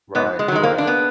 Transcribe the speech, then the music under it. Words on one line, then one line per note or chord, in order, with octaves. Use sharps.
Right, right.
G#2 B3
G#3
F#3
D#3 G#3
A#3
D4
B3